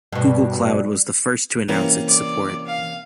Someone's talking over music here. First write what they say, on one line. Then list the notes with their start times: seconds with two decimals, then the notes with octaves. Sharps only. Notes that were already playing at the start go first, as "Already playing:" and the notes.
Google Cloud was the first to announce its support.
0.12 G2 B2
1.68 C3 E3 A#3 C#4
2.07 D5
2.66 F5